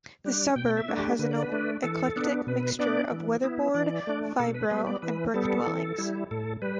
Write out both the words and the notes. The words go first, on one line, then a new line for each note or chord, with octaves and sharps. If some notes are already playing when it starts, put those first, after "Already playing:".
The suburb has an eclectic mixture of weatherboard, fibro and brick dwellings.
G3 D4
B2 G5
E5
A3 D4
G4
D3 B4
D5
B4
A3 D4
E3 A4
B3 D4
B2 B4
B3 D4 D5
E3
B3 E4
E3 D5
A3 D4
B2 A4
B4
G3 B3 B4
D5
E3 B4
G3 B3 A4
E3
G3 E4
A2 A4
G3 B4